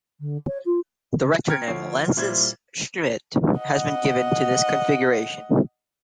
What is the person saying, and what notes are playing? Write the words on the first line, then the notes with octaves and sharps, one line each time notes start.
The retronym "lensless Schmidt" has been given to this configuration.
D3
C#5
F4
G5 A#5 F6 G#6 C#7 D7
D2 F3 C#5 C7
A#2 G3 E4 C5 G#6
D#5 F#5